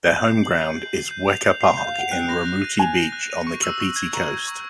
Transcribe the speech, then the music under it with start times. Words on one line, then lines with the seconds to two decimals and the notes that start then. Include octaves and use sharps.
Their home ground is Weka Park in Raumati Beach on the Kapiti Coast.
0.10 G6
0.27 C7
0.44 F#7
0.61 D#7
0.76 G6
0.93 C7
1.11 G6
1.28 F7
1.44 G6
1.61 C7
1.78 G6
1.86 F5
1.94 F#5 F7
2.11 G5 F#6
2.29 A#6
2.45 F#6
2.62 D#7
2.78 G#5 F#6
2.96 A#6
3.13 F#6
3.30 D#7
3.47 C#6
3.63 E6
3.80 C#6
3.96 G#6
4.13 A#5 C#6
4.31 E6
4.48 C#6